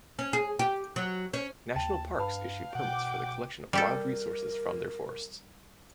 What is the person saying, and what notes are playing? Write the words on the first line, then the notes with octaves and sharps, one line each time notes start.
National parks issue permits for the collection of wild resources from their forests.
C#4
G#4
G4
F#3
C#4
D#2 G5 A5
G2 B4 F5 A5 B5
B2 F#5 G5 D6
G3 G4 A4 A#4